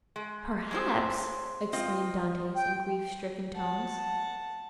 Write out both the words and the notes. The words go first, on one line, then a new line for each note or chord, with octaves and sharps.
"Perhaps!" exclaimed Dantes in grief-stricken tones.
G#3
G#3 C4 C5
C4 F4 D#5
G5
F#5 A5